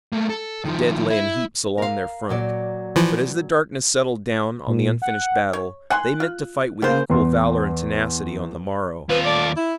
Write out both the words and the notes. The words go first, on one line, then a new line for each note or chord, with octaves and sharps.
The dead lay in heaps along their front, but as the darkness settled down on the unfinished battle they meant to fight with equal valor and tenacity on the morrow.
A3 A#3
A4
D#3 F3
E4
A#4 F5
A#2 F#3 D5
E3 F3
A#2
F#5
C#5
F#5 G#5 C6 F#6
F4
C#3 A#3 B3 C5
E2 C6
D#2 C4 F4 B4
A3 D5
E4